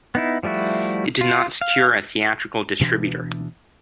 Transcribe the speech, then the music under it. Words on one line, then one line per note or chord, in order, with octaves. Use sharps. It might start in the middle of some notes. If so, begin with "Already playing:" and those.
It did not secure a theatrical distributor.
B3 D#4 E4
F3 G3 A3 E4 F#4
F4
F5
D2 B2 E3 D4